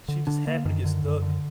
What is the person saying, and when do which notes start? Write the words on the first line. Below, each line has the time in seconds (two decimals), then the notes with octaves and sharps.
She just happened to get stuck
0.08 D3
0.27 D3 D4
0.47 D3 A#3
0.65 F#2 D#3
0.85 D3
1.04 F#2
1.22 D3